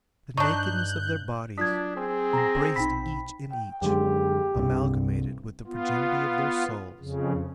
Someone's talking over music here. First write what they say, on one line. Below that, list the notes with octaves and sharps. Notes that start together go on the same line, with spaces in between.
The nakedness of their bodies, embraced each in each, amalgamated with the virginity of their souls.
G2 D4 D#4 C#6 F#6 G6
F#3 D4 F4 D#6 G#6 B6
C4 G#4
A#5 A#6
A#1 B2 D#4 G5 B5 B6
G5
F#2 D3 G#3 G4
C2 G2 C3
B3 F4
F2 C#3